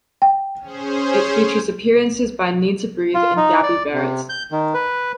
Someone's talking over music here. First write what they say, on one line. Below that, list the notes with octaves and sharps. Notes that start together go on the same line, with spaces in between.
It features appearances by Needtobreathe and Gabby Barrett.
G5
C#4 G#4 C5
F4
D#4
D5
C3
G6
D#3
B4